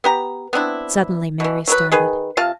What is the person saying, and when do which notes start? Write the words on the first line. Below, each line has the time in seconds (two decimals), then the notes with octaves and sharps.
Suddenly Mary started.
0.04 B3 G4 A#5
0.53 B3 C4 D4 E4
1.40 B2 E3
1.68 F#3 B3 B4
1.92 D#3 G#4 B4
2.37 C3 F4 F5 A5